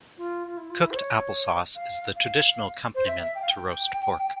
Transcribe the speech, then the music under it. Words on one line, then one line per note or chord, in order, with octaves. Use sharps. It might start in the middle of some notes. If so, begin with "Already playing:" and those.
Cooked apple sauce is the traditional accompaniment to roast pork.
F4
F4
E4
F4
E4
C5
C#5
F5
F5
C5
E5
E5
G5
F5
G5